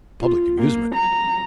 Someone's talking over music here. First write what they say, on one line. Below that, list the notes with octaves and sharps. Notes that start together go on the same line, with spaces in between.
'Public amusement?
F4
A#3
A#5